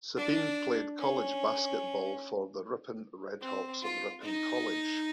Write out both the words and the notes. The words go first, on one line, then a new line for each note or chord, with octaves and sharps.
Sabin played college basketball for the Ripon Red Hawks of Ripon College.
D4
C#4
C4
F4
D#4